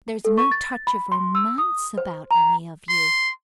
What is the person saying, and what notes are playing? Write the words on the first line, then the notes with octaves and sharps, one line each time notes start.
There's no touch of romance about any of you.
A4
C#6
A6
B5
C6
E6
D#6
C5
A#5
C6